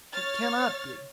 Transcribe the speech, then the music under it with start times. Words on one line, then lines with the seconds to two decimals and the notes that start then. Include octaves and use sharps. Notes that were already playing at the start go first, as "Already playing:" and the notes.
It cannot be.
0.12 C#5 F6 A6